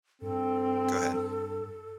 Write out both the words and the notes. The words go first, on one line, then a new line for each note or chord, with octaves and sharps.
go ahead.
G2 C4 A4